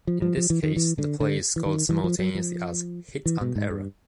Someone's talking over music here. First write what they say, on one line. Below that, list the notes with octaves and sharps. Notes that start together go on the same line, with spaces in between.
In this case, the play is scored simultaneously as “hit and error”.
F3
F3
F3
E3
D#3
E3
D3
D3
E3
D#3
E3
F3
F#3
F3
E3
B2
G#2
G2